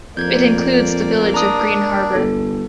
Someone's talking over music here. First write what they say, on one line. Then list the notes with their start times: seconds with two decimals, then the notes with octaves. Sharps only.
It includes the village of Green Harbor.
0.17 F2 A#3 D5 G6 G#6
1.34 D4 A#5 D#6
2.15 G1 A4